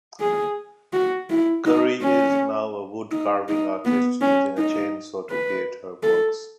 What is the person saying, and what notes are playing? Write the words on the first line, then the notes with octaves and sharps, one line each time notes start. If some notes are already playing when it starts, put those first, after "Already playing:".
Currie is now a wood-carving artist using a chainsaw to create her works.
G#4
F#4
E4
D#4
C#4
D#4
D#4
B3
C#4
D#4
B4
A4